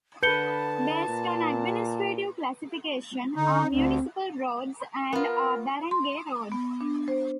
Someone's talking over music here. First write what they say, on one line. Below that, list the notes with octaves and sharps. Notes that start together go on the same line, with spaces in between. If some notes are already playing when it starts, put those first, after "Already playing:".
Based on administrative classification, are municipal roads and are barangay roads.
D3 B4 A5 G6 C#7 G7
A#2
D3 D#4
D2 C4
B3 F4 A#4
C6
B3
D4
C5